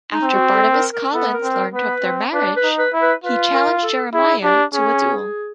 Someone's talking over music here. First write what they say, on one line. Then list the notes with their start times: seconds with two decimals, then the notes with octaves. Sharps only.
After Barnabas Collins learned of their marriage, he challenged Jeremiah to a duel.
0.13 D#4
0.23 C4
0.33 F#4
0.53 A4
0.73 A#4
0.93 A#4
1.13 B3 A4
1.34 A#4
1.43 C4
1.54 A#4
1.73 B3 B4
2.03 C4
2.33 D4 B4
2.56 B4
2.63 D#4
2.78 B4
2.93 E4
3.02 B4
3.24 F4 B4
3.53 A#4
3.83 A4
4.13 E4 G#4
4.43 D4 G4
4.73 C#4 G#4